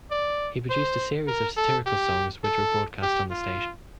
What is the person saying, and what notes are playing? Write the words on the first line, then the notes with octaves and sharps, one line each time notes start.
He produced a series of satirical songs which were broadcast on the station.
D5
C5
A#4
A4
G4
A4
G4
F4